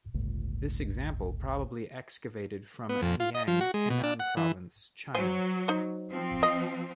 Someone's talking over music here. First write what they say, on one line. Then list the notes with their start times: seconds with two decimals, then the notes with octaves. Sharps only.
This example probably excavated from Anyang, Henan province, China.
0.14 G1 C#2 A2
2.89 B3
3.02 F2
3.20 F4
3.35 D#5
3.48 F3
3.61 F#4
3.74 G#3
3.90 B2
4.04 D4
4.20 F#5
4.37 E3
5.14 F#3 C5 G#5
5.68 D#4 C5
6.10 F3 C4
6.43 D#5